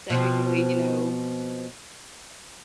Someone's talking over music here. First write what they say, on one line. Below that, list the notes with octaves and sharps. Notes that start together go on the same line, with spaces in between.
technically, you know,
B2 F3 C4